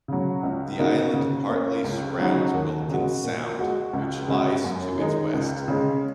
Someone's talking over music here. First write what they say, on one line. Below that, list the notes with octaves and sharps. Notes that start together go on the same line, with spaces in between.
The island partly surrounds Wilkins Sound, which lies to its west.
C#3 F#3
C#2
C#3 A#3 D#4 F#4
C#3
A#3 C#4
C#2
C#3 F#3 D#4 F#4
D#2
C#3 G#3 F#4
A#2
G#3 F#4
C#2
C#3 G#3 F#4
F#2
D#3 G#3 D#4
C#2
C#3 G#3